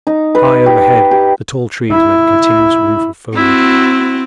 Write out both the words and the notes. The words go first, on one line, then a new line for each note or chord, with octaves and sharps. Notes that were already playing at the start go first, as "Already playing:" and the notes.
High overhead, the tall trees made a continuous roof of foliage.
D#4
B4
G4
G4
E4
C4 E4 F#4